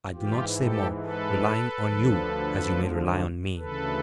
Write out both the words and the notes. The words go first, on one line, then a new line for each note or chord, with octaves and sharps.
I do not say more, relying on you as you may rely on me.
G#2 E3 F4 G4
G4 A4
A4 B4
D2 D3 F3
D2 C#3 E3 A4 B4